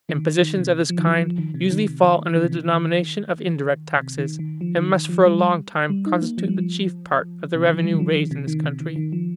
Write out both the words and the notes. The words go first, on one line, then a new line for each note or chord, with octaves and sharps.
Impositions of this kind usually fall under the denomination of indirect taxes, and must for a long time constitute the chief part of the revenue raised in this country.
D#3
D#3
C3
F3
D#3
F3
F3
D#3
C3
D#3
C3
D#3
D#3
C3
D#3
C3
D#3
D#3
F3
D#3
D#3
F3
G3
G3
D#4
A#3
F3
G3
F3
C3
D#3
F3
G3
D#3
F3
D#3
C3
D#3
C3
D#3
D#3
F3